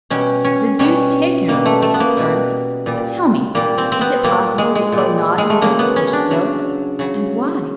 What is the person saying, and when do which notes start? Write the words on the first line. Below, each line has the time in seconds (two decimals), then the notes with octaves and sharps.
"The deuce take him!" said Clarence: "but tell me, is it possible that you are not in love with her still?--and why?"
0.10 B2 G3 C#4
0.44 C#4
0.79 B2 G3 C#4
1.48 B2 G3 A#3
1.66 A3
1.82 A3
1.94 B3
2.00 A#3
2.17 B2 G3
2.86 A#2 G3
3.55 A#2 G3 A#3
3.78 C4
3.92 C4
4.01 B3
4.24 A#2 G3 A#3
4.58 G#3
4.75 G#3
4.92 A#2
4.97 G3
5.38 G#3
5.50 A3
5.62 C#3 F#3 A#3
5.79 B3
5.96 C#4
6.13 D4
6.31 C#3 F#3
6.99 C#3 F#3